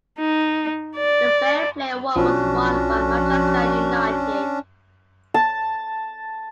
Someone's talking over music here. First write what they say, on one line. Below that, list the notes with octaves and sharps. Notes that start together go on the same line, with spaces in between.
The Fair Play Award was won by Manchester United.
D#4
D5
B1 F3 C#4 D4 F#4
A5